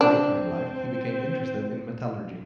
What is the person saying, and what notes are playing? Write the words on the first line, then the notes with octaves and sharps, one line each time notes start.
Later in life he became interested in metallurgy.
C4 D4